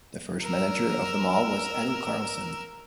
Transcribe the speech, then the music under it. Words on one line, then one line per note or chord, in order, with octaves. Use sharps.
The first manager of the mall was Eddo Carlson.
A#4 E6